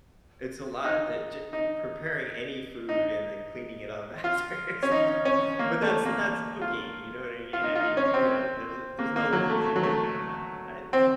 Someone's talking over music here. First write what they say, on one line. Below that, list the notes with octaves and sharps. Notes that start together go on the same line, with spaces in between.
It's a lot, that g p preparing any food and then cleaning it up after is a lot, but that's that's cooking, you know what I mean? I mean, you know, there's there's no easy way around that, I think.
D#4
D#4
D#4
F4
C#4
D#4
C#4
A#3
A3
A#3
F4
F4
D#4
F4
D#4
C#4
C4
A#3
A#3
F#3
A3
A3
F#3
A3
C4